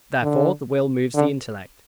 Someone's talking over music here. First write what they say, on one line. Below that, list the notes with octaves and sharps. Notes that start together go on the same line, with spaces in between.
Therefore the will moves the intellect.
D3
D3